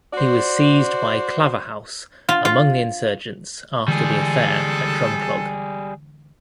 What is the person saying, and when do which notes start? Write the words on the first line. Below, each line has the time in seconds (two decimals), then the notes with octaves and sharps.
He was seized by Claverhouse among the insurgents after the affair at Drumclog.
0.13 F#4 C5 D5
2.29 F4
2.45 F4
3.88 D3 E3 G3 G#3 G#4 A4